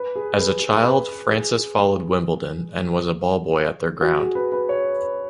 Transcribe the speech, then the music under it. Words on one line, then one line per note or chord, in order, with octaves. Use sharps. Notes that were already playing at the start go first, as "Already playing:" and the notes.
As a child Francis followed Wimbledon, and was a ball boy at their ground.
Already playing: B4
G#4
B4
G#4
B4
G#4
F#4
G#4
B4
B4
C#5